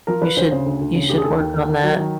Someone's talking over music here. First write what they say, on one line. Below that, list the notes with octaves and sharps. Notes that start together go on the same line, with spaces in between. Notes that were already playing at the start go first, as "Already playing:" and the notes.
You should you should work on that.
F3 A#4
F3 B4
D2 C5
C#3 C5
D2
D2
C#3
D2 G4
G#4
D#2 A4
D#2
D#3
D#3
F#3
D#3